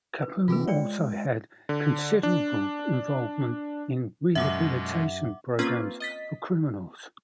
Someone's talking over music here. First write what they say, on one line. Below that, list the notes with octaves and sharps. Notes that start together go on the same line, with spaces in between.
Kopu also had considerable involvement in rehabilitation programs for criminals.
B4
C3 E3 C4 F4 G#4 B4
G#3 C#5 D5 G5
D3
D4
F#2 B2 G#3 E5 F#5 D6
A#3 C4 C#4 F4 B4
D#5 A6 B6